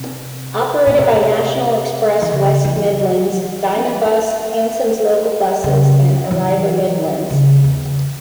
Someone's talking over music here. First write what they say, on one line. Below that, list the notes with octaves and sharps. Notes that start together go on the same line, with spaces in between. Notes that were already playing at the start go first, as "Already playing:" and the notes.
Operated by National Express West Midlands, Diamond Bus, Hanson's Local Buses and Arriva Midlands.
Already playing: C3
A#2
C3
E3
C#3
E3
C#3
E3
C#3
E2